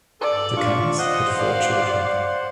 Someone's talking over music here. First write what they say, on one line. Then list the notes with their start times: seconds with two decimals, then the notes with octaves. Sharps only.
The Kennas had four children.
0.21 A4 D5
0.56 D4 F4 C#6
0.98 C5 D#5 F#5
1.35 D5 F5